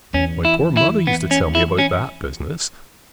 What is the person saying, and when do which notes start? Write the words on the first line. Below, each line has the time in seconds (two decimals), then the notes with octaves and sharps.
My poor mother used to tell me about that business.
0.13 E2 C#4
0.45 E4
0.77 E4
1.07 B3
1.31 C#4
1.55 E4
1.78 C#4